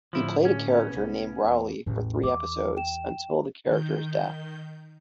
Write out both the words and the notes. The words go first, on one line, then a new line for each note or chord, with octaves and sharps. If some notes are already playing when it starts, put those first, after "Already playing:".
He played a character named Rauli for three episodes, until the character's death.
A2 D3 F3 E4
C#4
C2 B3
E2
A1 E2
E2 D6
G5 E7
D#3 G6